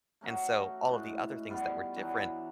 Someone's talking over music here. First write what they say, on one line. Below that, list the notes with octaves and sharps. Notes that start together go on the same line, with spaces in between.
and so all of the other things that were different
A3 C#4 D#4 F#4
A2 G#3
G3 B3 F4 F5
E3 F#3 D4 D#4